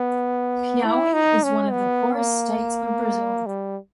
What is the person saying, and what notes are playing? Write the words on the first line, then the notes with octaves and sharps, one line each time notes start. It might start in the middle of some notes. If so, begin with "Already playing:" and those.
Piaui is one of the poorest states of Brazil.
Already playing: B3
E4
D#4
C#4
B3
A#3
G3